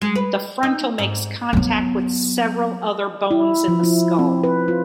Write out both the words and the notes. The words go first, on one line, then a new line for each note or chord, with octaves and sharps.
The frontal makes contact with several other bones in the skull.
G#3
B4
D#4
G#2
F#3 B3
E4
F3
E4
C4
B4
F4